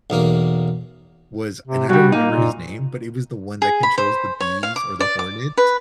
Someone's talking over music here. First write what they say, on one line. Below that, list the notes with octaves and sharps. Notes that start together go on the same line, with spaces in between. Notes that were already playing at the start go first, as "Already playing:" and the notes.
was and I don't remember his name- but it was the one that controls the bees or the hornets.
B1 E2 A#3
C3
G2 G3 F#4
A#3 D#4
A#2
G#4
B5
C5
C#5
F5
D6
D5
D6
B4